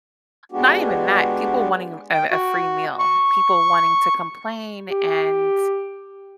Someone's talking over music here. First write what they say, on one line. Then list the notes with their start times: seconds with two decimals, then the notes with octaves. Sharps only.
Not even that, people wanting a a a free meal, people wanting to complain, and
0.52 G#3 B3 D4 F#4 G4
2.13 G5
2.31 F#4
2.99 C#6
4.89 G4